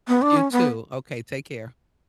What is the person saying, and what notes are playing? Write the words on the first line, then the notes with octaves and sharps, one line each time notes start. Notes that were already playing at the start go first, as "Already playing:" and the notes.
You too, okay, take care.
B3
D4
C#4
B3